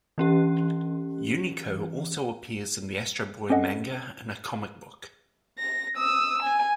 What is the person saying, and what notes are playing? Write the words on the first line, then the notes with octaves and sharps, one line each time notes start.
Unico also appears in the Astro Boy manga in a comic book.
E3 C#4 G4
C4 C#4 A4 D#5 F#5
A#6
D#6 E6
G#5